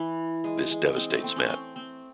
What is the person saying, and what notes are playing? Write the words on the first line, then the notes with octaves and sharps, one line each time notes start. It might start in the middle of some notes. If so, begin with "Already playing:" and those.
This devastates Matt.
Already playing: E3
G#3
G#3
C4
A3
C4
C#4
C4
C4